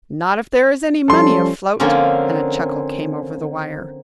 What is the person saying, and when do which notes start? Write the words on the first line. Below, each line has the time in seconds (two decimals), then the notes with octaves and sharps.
"Not if there is any money afloat," and a chuckle came over the wire.
1.08 F3 G3 C#4 A4 C6
1.80 D3 F3 A#3 C4 C#4